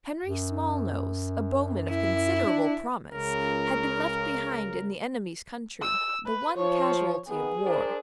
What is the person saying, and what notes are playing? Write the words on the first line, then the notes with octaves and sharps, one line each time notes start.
Henry Smallnose, a bowman of considerable promise, had been left behind in the enemy's country, the one casualty of war.
F#2
E4
D4
C#2 C#3 A#4
E6
B4
F3 C#5
D#3 B3 G#4
D4 A#4 C5